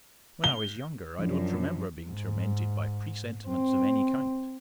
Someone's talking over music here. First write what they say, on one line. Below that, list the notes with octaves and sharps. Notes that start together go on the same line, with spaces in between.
When I was younger, I don't remember being tormented by presentiments of any kind.
G7
F#2 F3 D4
G#2
C4